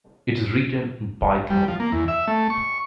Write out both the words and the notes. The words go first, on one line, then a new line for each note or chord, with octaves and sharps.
It is written in Python.
G3
F3
A#3
E2
E5
A3
C#6